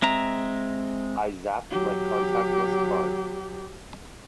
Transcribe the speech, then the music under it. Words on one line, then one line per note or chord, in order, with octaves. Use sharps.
I zapped my contactless card.
G#3 C4 E5 A#5
F#3 G4